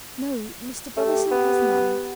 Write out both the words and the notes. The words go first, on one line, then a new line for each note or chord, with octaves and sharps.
"No, Mr. Brotherson has none."
A3 G4
B3